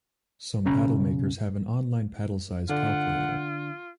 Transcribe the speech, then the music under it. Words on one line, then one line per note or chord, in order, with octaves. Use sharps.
Some paddle makers have an online paddle size calculator.
B1 C#3 C#4 A#5 B5
D3 D4 F4 F#5